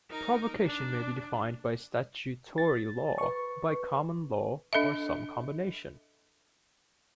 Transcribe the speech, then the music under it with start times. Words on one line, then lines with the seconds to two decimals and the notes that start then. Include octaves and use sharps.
Provocation may be defined by statutory law, by common law, or some combination.
0.10 D#4 A#4
0.64 D4
2.58 A6
3.18 B4 C#6
4.73 D4 A4 D#5 E5